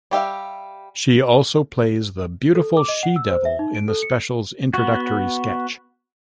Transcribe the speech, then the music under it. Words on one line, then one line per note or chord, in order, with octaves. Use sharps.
She also plays the "Beautiful She Devil" in the special's introductory sketch.
G3 G4 E5 F5
A4
D6
D#5
F#5
E6
C5
E5
D#4
D7
A4
C#7
B3 F#4